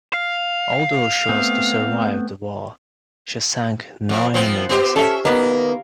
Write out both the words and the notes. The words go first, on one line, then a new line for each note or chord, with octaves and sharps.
Although she was to survive the war, she sank no enemy vessels.
F5
A3 B3 C4
F2
F3 B3 C4
B3 G4 C5
C#4 A4 E5
D#3 A#3 B3